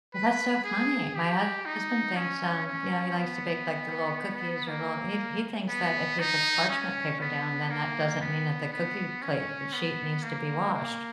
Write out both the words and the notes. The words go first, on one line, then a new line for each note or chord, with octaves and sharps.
That's so funny. My husband thinks, um, you know he likes to bake, like, the little cookies or little He he thinks that if he puts parchment paper down, then that doesn't mean that the cookie plate sheet needs to be washed.
B4
G#4
G4
D#4
C#4
C#4
B3
A#3
B3
D#4
C#4
B3
A#3
B3
B3
C#4
B3
A#3
A#3